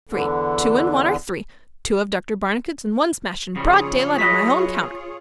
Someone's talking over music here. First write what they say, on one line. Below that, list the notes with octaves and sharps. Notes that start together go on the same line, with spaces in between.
Three--two and one are three--two of Dr. Barnicot's, and one smashed in broad daylight on my own counter.
E2 D3
C#3 F3 G3 F4 G#4 C#5
F#3 B4 D#5 B6